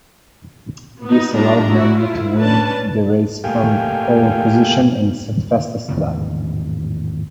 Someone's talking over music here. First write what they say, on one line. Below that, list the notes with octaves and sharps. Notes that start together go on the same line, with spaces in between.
This allowed Menu to win the race from pole position and set fastest lap.
B3 D#4
G3 D4 D#4 F4 A#5
G#3 E4 F#4
A3 E4 F4
C#4 D4 B4 A5
A3 A#3 G4 F5 G5 G#5
G#1 E2 A2 C#3